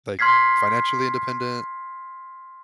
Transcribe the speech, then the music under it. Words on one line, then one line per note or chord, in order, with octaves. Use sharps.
like, financially independent.
C6 F6 G#6 B6 C7